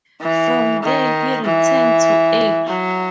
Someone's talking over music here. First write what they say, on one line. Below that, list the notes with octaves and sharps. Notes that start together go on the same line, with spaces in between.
From there he returned to Acre.
E3
D#3
E3
F#3